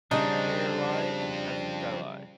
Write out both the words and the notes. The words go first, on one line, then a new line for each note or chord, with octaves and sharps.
Pei’erlai and Kasitailai.
C#3 F3 G3 C4 D4 D#4